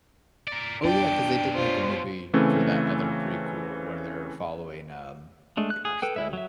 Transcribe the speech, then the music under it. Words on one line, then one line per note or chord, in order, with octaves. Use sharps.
Oh, yeah, 'cause they did make a movie for that other prequel where they're following, um, gosh, the
A#4 D5
B2 D4 D5 G5
F4 C5 C#5
C#3 E3 A3 C4 C#4
G#3 A3 D4
F#6
G#4
A4 B4 G5
G#3 E4 E5
F#3 E5